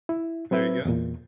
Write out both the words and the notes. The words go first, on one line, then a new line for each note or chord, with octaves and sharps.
There you go,
E4
F#3 C4 B4 E5
E2 A#2